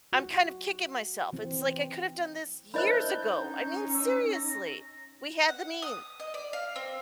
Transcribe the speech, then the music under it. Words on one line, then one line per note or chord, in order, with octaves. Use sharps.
I'm kind of kicking myself, it's like I could have done this years ago! I mean, seriously! We had the means,
F#4
E3 C4
D4 E4 A#4 C5 D#5 B5 G6
C#4 D#4
E6
A#6
F#5
D#6
D#5
D5
F5
C4